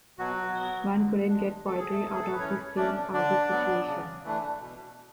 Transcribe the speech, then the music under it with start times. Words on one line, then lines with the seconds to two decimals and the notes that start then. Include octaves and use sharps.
One couldn't get poetry out of this theme or this situation.
0.19 B2 F#3 F#4
0.55 F#3 B3
0.92 D3
1.29 G#3 D4
1.66 B2 A4
1.79 G#4
1.91 A3 A4
2.03 F#3 A3
2.14 G#4
2.22 A4
2.31 B4
2.39 E3 C#4 C#5
2.76 A3 C#4 D4 D5
3.13 D3 D4 D5
3.50 F#3 B3
3.87 C#3
4.24 E3 A3 D4
4.61 B2